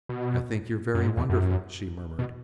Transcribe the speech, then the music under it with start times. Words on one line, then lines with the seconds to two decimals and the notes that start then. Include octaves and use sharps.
"I think you're very wonderful," she murmured.
0.09 B2
0.95 F#2
1.04 G#2
1.17 E2
1.29 F#2
2.19 B2